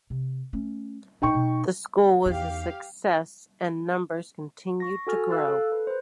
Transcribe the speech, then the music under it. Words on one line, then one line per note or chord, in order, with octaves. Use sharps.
The school was a success and numbers continued to grow.
C3
A3 C#4
A#2 D#4 E4 G5 C#6
B2
E2 D#4 G4 F5
C#6 A#6
F#4 A4 G#5 F6 A6
F5 E6 F#6 A6
A4
B4
B4 C5